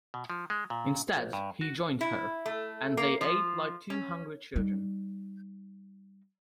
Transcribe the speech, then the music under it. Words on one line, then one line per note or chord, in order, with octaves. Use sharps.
Instead, he joined her; and they ate like two hungry children.
B2
F3
G#3
A#2
A#1
G2
F#4
E4
A3
A#3
F3
C#4
G3 D#4